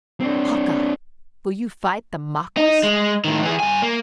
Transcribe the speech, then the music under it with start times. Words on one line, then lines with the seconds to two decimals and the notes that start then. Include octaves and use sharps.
"Hawkeye! will you fight the Maquas?"
0.20 C4 D4
2.57 D#4
2.83 G#3
3.24 A2 D#3
3.43 E3 G#4
3.60 G2 G#5
3.82 A#3